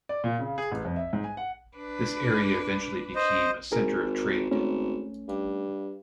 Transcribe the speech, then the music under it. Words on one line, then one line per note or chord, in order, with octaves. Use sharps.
This area eventually became a center of trade.
D5
A#2
C#3
G#4
A1
F2
E5
G#2
G#5
F#5
D4 B4
C5 D#5
G#1 G#4 A#4
G#1 A3 C#4
G2